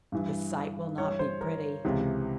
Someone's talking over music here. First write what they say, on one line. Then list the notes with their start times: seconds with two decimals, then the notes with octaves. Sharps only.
The sight will not be pretty.
0.12 G2 E3
0.98 G2 E3 C#5
1.19 C5
1.41 A#4
1.85 C#2 C3 E3